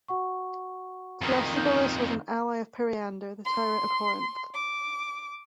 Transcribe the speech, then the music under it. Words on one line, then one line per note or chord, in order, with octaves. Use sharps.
Thrasybulus was an ally of Periander, the tyrant of Corinth.
F#4 F#5 C#6
F2 D#3
D#4 G6
C6
D6